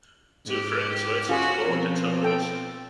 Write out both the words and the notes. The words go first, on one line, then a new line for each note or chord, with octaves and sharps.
Two friends waiting to board the tour bus.
G#2 G4
C#4 F4 F#4 G#4
B2 F3 C4
A4 G5